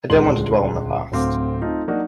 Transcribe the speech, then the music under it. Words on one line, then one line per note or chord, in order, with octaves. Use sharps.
I don't want to dwell on the past.
D#1 C#2 D3 G#3 C6 F#7
D1 D2 C4 F5 D6
A3 C4 D#4 F4
F#3 A#3 D4 D#4 F#4